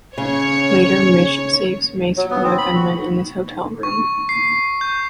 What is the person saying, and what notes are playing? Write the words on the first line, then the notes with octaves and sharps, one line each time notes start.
Later, Mitch saves Mace from a gunman in his hotel room.
C#3 C#5
F#3
B3
C4
B5
F#4
C#6
C7
G6